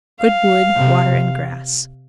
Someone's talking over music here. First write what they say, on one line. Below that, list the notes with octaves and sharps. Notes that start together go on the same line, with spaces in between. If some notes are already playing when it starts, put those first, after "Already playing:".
Good wood, water, and grass.
F5
C3